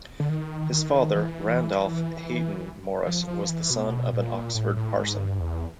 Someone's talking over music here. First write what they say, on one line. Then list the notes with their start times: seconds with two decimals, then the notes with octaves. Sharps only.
His father Randolph Hayton Morris was the son of an Oxford parson.
0.20 D3
0.29 D#3
0.72 D#3
1.15 E3
3.07 F3
3.28 F3
3.49 E3
3.70 B2
4.13 A#2
4.55 A2
4.76 A2
4.97 G#2
5.19 G2
5.40 E2